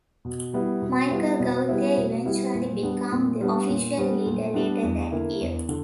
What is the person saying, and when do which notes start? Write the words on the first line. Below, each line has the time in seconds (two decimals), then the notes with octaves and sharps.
Michel Gauthier eventually became the official leader later that year.
0.25 B2
0.53 G3 B3 E4
0.82 B2
1.11 G3 B3 E4
1.40 B2
1.69 G3 B3 E4
1.97 B2
2.25 G3 B3 E4
2.54 A#2
2.83 G3 B3 D4
3.11 A#2
3.40 G3 B3 D4
3.69 A#2
3.98 G3 B3 D4
4.26 A#2
4.54 G3 B3 D4
4.83 E2
5.12 D3 A#3 E4
5.41 E2
5.69 D3